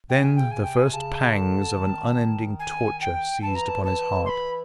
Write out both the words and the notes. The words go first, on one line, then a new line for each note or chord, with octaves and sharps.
Then the first pangs of an unending torture seized upon his heart.
C3 G5
G#5
C#3 G5
G#5
C3 G5
G#5
C#3 A5
D3
D#3
G#5
G5
E3 A5
A#5
A5
A5
C6
B5